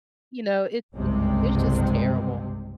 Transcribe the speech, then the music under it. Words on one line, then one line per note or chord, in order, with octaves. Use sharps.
You know, it it's it's just terrible.
F#1 C2 G2 C3 G#3 C4